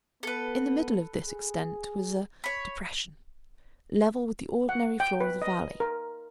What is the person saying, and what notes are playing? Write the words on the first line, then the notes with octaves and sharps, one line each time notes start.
In the middle of this extent was a depression, level with the ordinary floor of the valley.
B3 A4 B4
G#4
C#5 B5
F#5
G5
B4
D#5
A#4